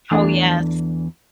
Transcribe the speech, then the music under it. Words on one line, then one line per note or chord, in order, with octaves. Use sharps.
Oh, yes.
E2 E3 A3 D4